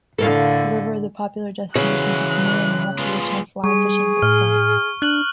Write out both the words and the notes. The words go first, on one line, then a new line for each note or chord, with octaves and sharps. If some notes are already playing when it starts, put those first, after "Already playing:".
The river is a popular destination for canoeing and recreational fly fishing for trout.
A2 D3 A4 A#4 F5
C#3 E3 E4 F#4 F#6
G#3 B3 F4
G3 G#4 C#6
A2 F6
D4 F#6 F#7